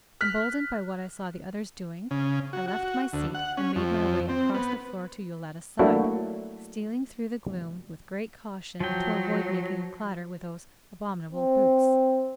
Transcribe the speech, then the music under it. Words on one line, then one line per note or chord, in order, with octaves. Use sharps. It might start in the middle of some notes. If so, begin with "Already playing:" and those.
Emboldened by what I saw the others doing, I left my seat and made my way across the floor to Yoletta's side, stealing through the gloom with great caution to avoid making a clatter with those abominable boots.
F6 F#6 B6
C#3
F#4
F#4
D2
F#5
C#4
F2
C4
B3
F#3 A3 A#3 D4 E4 F#4
F3 F#3 G5
C4